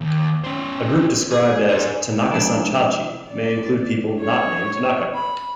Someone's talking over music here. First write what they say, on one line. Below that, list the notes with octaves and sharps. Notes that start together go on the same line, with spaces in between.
A group described as "Tanaka-san-tachi" may include people not named Tanaka.
D#2
C#4 C5
G#4
G#4 C5
F3 G#3 D4
D5
C#5
B5